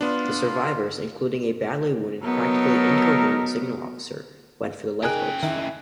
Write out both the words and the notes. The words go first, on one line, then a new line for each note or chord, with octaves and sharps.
The survivors, including a badly wounded, "practically incoherent" signal officer, went for the lifeboats.
B3 D4 F4
F#3 B3 D#4 A4 A#4
C#3 D#4 G#4 A#4 G5 G#5 F#6
D#3 E4